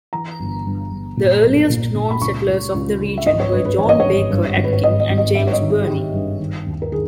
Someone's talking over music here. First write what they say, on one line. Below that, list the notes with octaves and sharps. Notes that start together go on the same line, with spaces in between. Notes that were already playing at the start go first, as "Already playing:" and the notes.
The earliest known settlers of the region were John Baker Atkin and James Burney.
E3 A#5
G1
G2
G1
A#2
B1
A#2
A#2
B5
C#2 C#6
C#2
C#2
C#3
E5
G#1 D#5
C#5
G2 B4
B4
E3 C#5
D#5
C#5
G#1
G2
G#1
B4
C#5
G#1 D#5
D#5
G#1
D#5
G2 E5
C#5
D#5
D#3
G#4
D#3 G4
G2
D#3
D#2
A#4
D#3 G#4